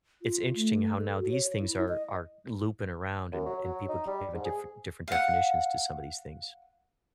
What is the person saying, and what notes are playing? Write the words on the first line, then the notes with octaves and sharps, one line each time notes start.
it's interesting how now these things are are looping around, and and people giving different different definitions to some of these things.
F4
A3
A4
F#4
C#5
E4
D#5
F#2
F#3
F#3
D#4
G3
G#2
G#4
F5 F#5